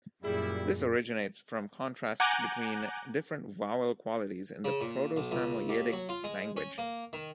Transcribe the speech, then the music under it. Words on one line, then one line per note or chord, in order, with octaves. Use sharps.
This originates from contrasts between different vowel qualities in the Proto-Samoyedic language.
F#2 A#2 G3 E4 G#4
F#5 G#5 A#5 D6 F#6 G6
C#3
A#2
B1
C#2
D#2
F#3
F4
G#3
C#4
A#3
D#3